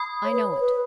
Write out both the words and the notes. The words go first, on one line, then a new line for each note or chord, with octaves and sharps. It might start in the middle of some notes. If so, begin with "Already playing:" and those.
I know it.
Already playing: B5 D#6
C#5
B4
C#5
B4